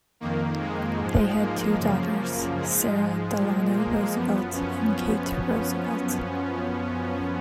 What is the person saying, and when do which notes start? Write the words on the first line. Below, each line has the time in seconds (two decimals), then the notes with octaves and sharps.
They had two daughters, Sara Delano Roosevelt and Kate Roosevelt.
0.20 F2 D#3 A#3
0.60 G#3
0.99 G#2 F3
1.39 A#3
1.79 F#2 C#3 F3
2.57 G#2 F3 G#3
3.36 A#2 F3
3.76 A#3
4.15 F#2 F3 B3
4.54 C#4